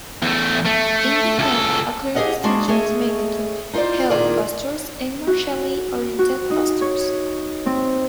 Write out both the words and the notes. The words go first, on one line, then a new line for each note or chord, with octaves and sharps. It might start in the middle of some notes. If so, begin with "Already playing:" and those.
In Yiquan, a clear distinction is made between "health" postures and "martially oriented" postures.
E2 A3
A3
C#2 A4
G4 G#4 D5 D#5 F5 F#5
G#3 A#3 D4 F#4 G#4
A3 G#4 C#5 D#5
D#4 F4 A4 C5 D5
A#2 D#3 A#3 F4 G#4 D5
F#4
F#4
D#4
C#5
C4